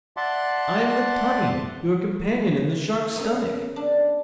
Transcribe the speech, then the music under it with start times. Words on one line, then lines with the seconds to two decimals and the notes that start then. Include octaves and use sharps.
"I am the Tunny, your companion in the Shark's stomach."
0.17 D5 E5 F#5 A5 C6 D6
3.15 C#3 A#3 B3
3.76 D4